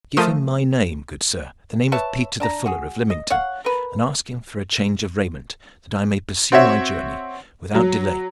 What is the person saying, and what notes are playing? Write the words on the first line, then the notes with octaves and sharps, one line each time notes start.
Give him my name, good sir, the name of Peter the fuller, of Lymington, and ask him for a change of raiment, that I may pursue my journey without delay.
F3 A3 A#4 C6 D#6 D#7
B4 C#5 E5 A5
D4 A5 A#5
F#4 G#4
D#5
C#5 F5 F#5
A#4 B4
C4 F#4 C#5 E5
F#3